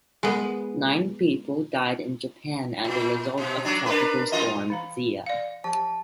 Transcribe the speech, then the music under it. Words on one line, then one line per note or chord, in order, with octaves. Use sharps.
Nine people died in Japan as a result of Tropical Storm Zia.
G#3 B3
A#2
B2
F#3 D4
D4 A#4 B4
F#2 F4 D#5
E3 F5 A#5
D5 F5
F3 G4 A5